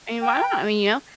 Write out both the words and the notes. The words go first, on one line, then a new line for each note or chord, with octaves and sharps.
I mean, why not? I mean, you know,
G5